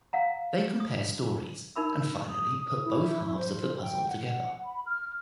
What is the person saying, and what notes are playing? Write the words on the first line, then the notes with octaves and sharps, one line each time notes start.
They compare stories and finally put both halves of the puzzle together.
F5 F#5 A#5
D#6
D#4 A#4 B5 E6
D#6
E4
C5
G5
F#5
B5
F6